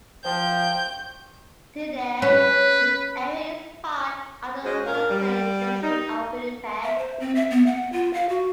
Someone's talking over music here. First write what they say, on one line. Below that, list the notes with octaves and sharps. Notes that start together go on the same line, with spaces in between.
Today this area is part of the Wolseley district of Winnipeg.
F3 G5 G6
C#4 B4
G#3 C#4 F#4 C5 D#5
A#2 A#4 F5
G3
D#4
E5
C5
C4
E5
B3
F#5
F4
F5
F#4